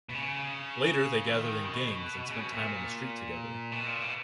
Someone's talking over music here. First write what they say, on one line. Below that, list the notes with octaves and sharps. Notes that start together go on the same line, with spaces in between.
Later they gathered in gangs and spent time on the street together.
B2
C#3
E3
D#3
B2
C#3
B2
A#2
B2
A#2
B2